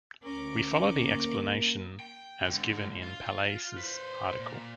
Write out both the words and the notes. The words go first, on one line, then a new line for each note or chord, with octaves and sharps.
We follow the explanation as given in Palais's article.
D2 C#4 A#4 D6
A#3
G5
G#2 D3
F4
B4 C5
A#2